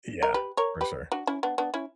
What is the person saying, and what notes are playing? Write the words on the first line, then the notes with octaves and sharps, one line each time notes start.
Yeah. For sure.
A#4
G4 B4
A#4 C#5
G4 B4
D4 F#4
C#4 E4
B3 D4
B3 D4
C#4 E4